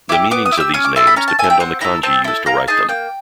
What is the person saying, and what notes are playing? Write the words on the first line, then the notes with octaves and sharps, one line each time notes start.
The meanings of these names depend on the kanji used to write them.
E4 G4 D6
B3 D6
D#6
E4
G4 E6
C#4 D#6
D6
E4 A4 C6
B5
C#4 A#5
A5
A4 G#5
E4
G5
C4 F#5
E4 A4 A#5
C4 A5
E4 A4
A#3 A#5
D#4 G#4 A5
A#3 G5